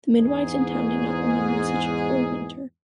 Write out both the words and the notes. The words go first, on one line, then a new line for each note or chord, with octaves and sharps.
The midwives in town did not remember such a cruel winter.
E2 G#2 G#4